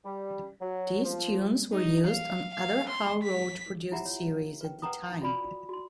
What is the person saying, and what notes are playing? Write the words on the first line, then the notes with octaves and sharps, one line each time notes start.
These tunes were used on other Hal Roach produced series at the time.
G3
F#3
F3
D#4
F5
F5
C6
B6
E4 F4 G4 E5 F#5 A#5
C#5
B4 G5
B4 F#5 G5 A#5 D#6
F4 F#4 D5 B5
F#4 C6